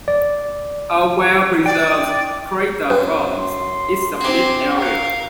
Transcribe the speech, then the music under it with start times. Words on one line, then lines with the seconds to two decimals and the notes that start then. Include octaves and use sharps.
A well-preserved crater forms its summit area.
0.08 D5
1.66 D5 G5 D6
2.90 F#2 C4 B4 G5
3.38 C6
4.21 C4 F#4 G4 G#5
4.78 A#4 F5 F#5 F#6